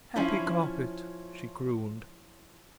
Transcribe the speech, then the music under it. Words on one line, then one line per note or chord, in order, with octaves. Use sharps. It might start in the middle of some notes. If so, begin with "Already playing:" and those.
"Happy carpet!" she crooned.
F3 C#4 E4